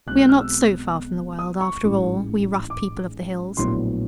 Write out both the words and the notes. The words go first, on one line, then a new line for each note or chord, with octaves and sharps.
We are not so far from the world, after all, we rough people of the hills.
B1 B2 G#3 C4 F#6
F#6
F6
E6
D#6
C#6
A1 G#2 E3 G#3
D6
A#1 A2 F#3 B3 C6